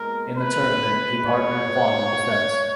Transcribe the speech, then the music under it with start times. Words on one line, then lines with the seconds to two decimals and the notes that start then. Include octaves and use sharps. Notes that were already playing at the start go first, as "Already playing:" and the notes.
In the tournament, he partnered Juan in defence.
Already playing: A#2 G#3 B3 A#4
0.36 B4
1.27 C#5